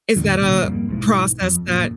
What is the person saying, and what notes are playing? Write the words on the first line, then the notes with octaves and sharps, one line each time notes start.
is that a process that
E2 A2 D3
B1 A#2 D3
F2 G#2 G3 A#3
B1 G#2 E3
F2
A1 F#2 A#2